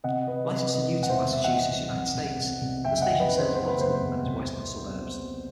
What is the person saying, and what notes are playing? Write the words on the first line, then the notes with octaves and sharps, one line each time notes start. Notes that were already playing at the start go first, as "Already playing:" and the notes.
Licensed to Newton, Massachusetts, United States, the station serves Boston and its western suburbs.
C3 D#5 F#5
C3 B4 D#5
C3 B4 D#5
C3 B4 D#5
E1
F#5
C5 E5
D#3
E5
E3 D#5 F#5
C2
C2
C2
C2
C2
F#1 E5 G5
D#5 F#5
D#3
B4 D#5
D#3
C5
F#1 C5
B4
F#1 C5
E2
C2